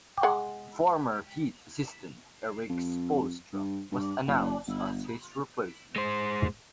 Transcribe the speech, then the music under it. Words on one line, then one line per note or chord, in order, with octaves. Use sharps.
Former Heat assistant Erik Spoelstra was announced as his replacement.
G#3 F#5
F2
G2
G2
F#1
G1
G#3 C5